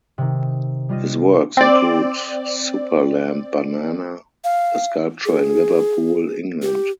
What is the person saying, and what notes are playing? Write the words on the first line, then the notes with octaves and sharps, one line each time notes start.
His works include SuperLambBanana, a sculpture in Liverpool, England.
C3 D#3
G3 F4 D#5 D#7
C4 D5
F5
G#4
G4